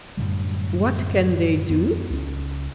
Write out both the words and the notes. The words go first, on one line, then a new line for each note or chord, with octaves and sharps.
What can they do?
F#2 A2 D3 G3
F2 B3
C#2 C#4